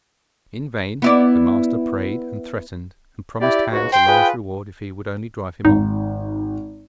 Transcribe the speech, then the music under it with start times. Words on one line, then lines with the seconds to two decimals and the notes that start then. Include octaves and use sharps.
In vain the master prayed and threatened, and promised Hans a large reward if he would only drive him on.
1.02 B3 E4 D5
3.41 E4 G4 D5
3.71 C#2 G#2 F#4
3.92 G5 C6
4.06 F4 G#4 B4
5.65 G#1 D#4